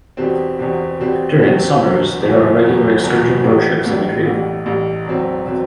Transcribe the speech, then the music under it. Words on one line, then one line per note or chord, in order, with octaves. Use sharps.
During summers there are regular excursion boat trips in the creek.
E2 B2 G3 C4
E2 B2 G3 C4
E2 B2 G3 C4
E2 B2 G3 C4
F#1 E2 B2
F#1 E2 B2
F#1 E2 B2
F#1 E2 B2
A1 A2 G3
A1 A2 G3
A1 A2 G3
A1 A2 G3
E1 E2 B2 F#3 C4
B2 F#3 C4